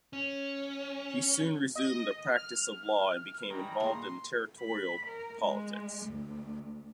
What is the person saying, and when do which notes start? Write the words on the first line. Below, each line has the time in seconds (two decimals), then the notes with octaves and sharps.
He soon resumed the practice of law and became involved in territorial politics.
0.13 C#4
1.75 D#5
2.33 F6
3.50 D#3 E3 G3 G5 A#5
3.80 A#2 G#4 F5 C6
4.60 B5
5.06 A#4
5.41 G#3
6.06 D2